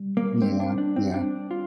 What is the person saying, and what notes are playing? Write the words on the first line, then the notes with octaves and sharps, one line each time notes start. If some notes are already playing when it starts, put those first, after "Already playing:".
Yeah, yeah.
Already playing: G3
A#3
C4
D4
D4
C4
D4
F4